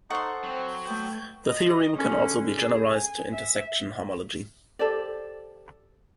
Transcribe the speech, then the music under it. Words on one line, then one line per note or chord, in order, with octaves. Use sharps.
The theorem can also be generalized to intersection homology.
D#4 A4 C5 F#5 A5 C6 C#6
F#3 C4
A3 B3 G5 G6
D#5
D3 C#4
G#4
G#5
E5
G4 A4 C5 D5